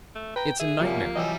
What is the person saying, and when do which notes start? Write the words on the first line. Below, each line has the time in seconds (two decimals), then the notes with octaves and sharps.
It's a nightmare!
0.15 A3
0.36 B4 G5 A#5
0.60 G#4 E5
0.79 F#2 C3 F3 G3 A#3 F4
1.16 E3 F#3 G3 D#5 G5 E6